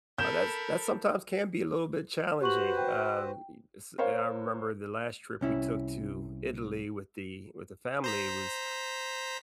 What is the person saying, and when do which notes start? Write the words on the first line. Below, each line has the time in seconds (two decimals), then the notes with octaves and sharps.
Uh, that's that sometimes can be a little bit challenging, um, y s I remember the last trip we took to Italy with the with the family was,
0.18 A4 A#4 B5 G6 E7
2.41 F#4 G4 B4 C5 C#6 F#7
2.78 G5
3.98 A#4 C5 C#5 F5
5.41 C2 C#4 E4
8.04 C5 A#5 B6